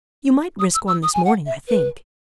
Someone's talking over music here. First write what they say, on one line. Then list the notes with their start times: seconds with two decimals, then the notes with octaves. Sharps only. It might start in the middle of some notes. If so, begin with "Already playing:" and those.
You might risk one this morning, I think.
0.59 D#6
0.74 E6
0.88 E6
1.03 D#6
1.14 G#5
1.25 F#5
1.46 E5
1.68 B4